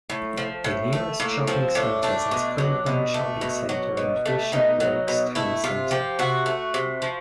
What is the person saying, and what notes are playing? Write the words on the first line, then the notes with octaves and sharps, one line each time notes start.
The nearest shopping centres are Springburn Shopping Centre and Bishopbriggs town centre.
A2
F3
A2
A3
A2 A#3
F3 C4
A2 D4
A3 D4
B2
F#3
B2
A3
B2
F#3
B2
A3
B2 D#4
F#3
B2
A3 E4
C3 F4
F3 G4
C3 F#4
A3
C3
F3